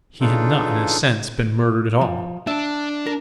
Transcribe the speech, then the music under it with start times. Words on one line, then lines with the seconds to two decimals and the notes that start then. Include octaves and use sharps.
He had not, in a sense, been murdered at all.
0.21 C#3 E3 D4 D#4 F4 A4
2.01 F3
2.47 D4 E5
3.06 A#4